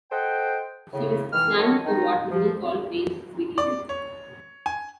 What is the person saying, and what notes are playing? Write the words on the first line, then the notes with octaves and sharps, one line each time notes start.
She was slammed for what many called "dangerous behavior".
A4 C5 D#5 F#5 G5
A2 C#3
D#3 E3 F6
F#4 G4 A4 A#4 C#5 D#5
D#3 D#4
F3
D5
C#5
G#5